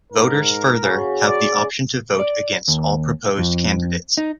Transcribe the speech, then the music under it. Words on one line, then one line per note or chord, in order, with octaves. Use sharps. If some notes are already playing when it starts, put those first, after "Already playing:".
Voters further have the option to vote against all proposed candidates.
G#2 A#4
C#3 F#4
D5
D5
D#2
F2
D#4